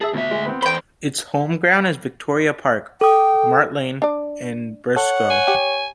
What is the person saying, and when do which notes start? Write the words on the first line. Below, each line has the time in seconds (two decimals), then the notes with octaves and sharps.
Its home ground is Victoria Park, Mart Lane, in Burscough.
0.01 G#4 E5 A5
0.13 D2 B2 E5
0.31 G#3
0.46 B3 C4
0.62 E2 C5 G5 B5
3.01 A4 G5 D#6
4.02 D4 D5
4.96 A4 C#5 F#5
5.30 G#5
5.48 G4